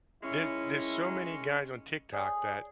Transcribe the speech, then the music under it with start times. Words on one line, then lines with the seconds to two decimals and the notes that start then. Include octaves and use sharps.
There's there's so many guys on TikTok that
0.23 D#3 G#3 C#4 E4
2.13 G#4 C#5 D5